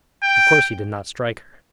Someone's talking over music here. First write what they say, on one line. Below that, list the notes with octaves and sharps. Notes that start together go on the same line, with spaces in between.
Of course he did not strike.
G5